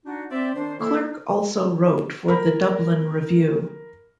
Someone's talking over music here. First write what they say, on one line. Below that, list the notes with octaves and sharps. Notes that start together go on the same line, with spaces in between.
Clerke also wrote for the "Dublin Review".
D4 D#4 F#4
C4 C5 D5 E5
D#3 D4 C5
A#3 E4 A4
A#4 B5